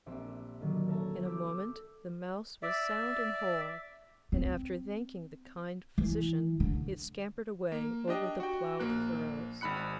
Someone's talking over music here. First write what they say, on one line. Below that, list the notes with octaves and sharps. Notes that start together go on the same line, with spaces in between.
In a moment the mouse was sound and whole, and after thanking the kind physician it scampered away over the ploughed furrows.
A#1 C4 G4 E5 D7
D3 D#3 F#3
A4 A#4 C#5 E5 A5 A#5
D6 E6 G6 B6 D7
D5 E5
C4
E3
D3
A#3
D4 G4 D#5 G5
F#4 G5
A#1 A#3 F#6
G#1 G#2 B5 F#6 C#7